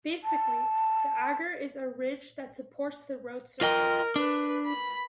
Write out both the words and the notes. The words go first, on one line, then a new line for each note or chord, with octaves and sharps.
Basically the agger is a ridge that supports the road surface.
A5
F4 A#4 D#5 G5
D4 B4
B5